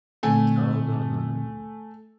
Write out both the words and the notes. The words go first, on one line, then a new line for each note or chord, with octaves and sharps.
Oh, no, no, no, no.
A#2 D3 A3 C4 G#5